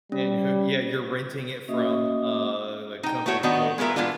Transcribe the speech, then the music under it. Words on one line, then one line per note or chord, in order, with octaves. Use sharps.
And her yeah. You're renting it from, uh, like, company called Earth.
G3 C#4
A#3 C#4 F#4 D#5 E5 D#6
D#4 G5
A3 B3 E4 F#4 C#5
D#3 B3 D4 D#4 F#4
G#3 B3 F4 A#4 E5
E3 G#3 B3 D4 F4